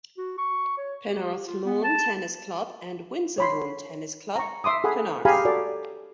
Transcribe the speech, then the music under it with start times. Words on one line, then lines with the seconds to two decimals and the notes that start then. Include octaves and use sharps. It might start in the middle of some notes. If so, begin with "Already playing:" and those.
Penarth Lawn Tennis Club and Windsor Lawn Tennis Club, Penarth.
0.18 F#4
0.38 C#6
0.78 C#5
1.06 G4
1.46 F4
1.65 B3
1.84 A5
3.38 C#5 B5 C6
4.36 A#5 C#6
4.64 E5 C6 D6 D#6
4.84 G#4 A4 F#5 G#5 B5 D#6
5.25 G4 G#4 F5 G#5 A#5 B5
5.45 F#4 A4 D5